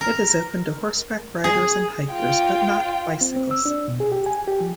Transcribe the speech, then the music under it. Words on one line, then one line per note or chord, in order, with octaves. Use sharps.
It is open to horseback riders and hikers but not bicycles.
A#4
G#4
F4 G5
C4
C4
E6
D4
B2
G#4
G4
G#5
G4
F3